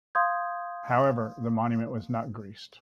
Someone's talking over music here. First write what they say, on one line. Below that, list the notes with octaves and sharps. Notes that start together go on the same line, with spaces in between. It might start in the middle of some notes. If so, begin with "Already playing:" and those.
However, the monument was not greased.
F5 C6 D#6 G6 G#6